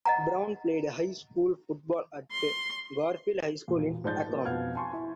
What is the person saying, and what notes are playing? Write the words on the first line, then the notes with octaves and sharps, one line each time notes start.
Brown played high school football at Garfield High School in Akron.
D#5 F#5 A#5
C6
E1 A#2
G#2 F3 D5 G6 A6
A#3
F2 B2 F5 F#5 F6 G#6
G#5 A5 C6 C#6
E4